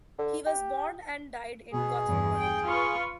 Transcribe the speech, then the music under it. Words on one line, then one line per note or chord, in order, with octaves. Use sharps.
He was born and died in Gothenburg.
D3
G4
B2 G#4
E2 G2
G5
F4 B4 C#6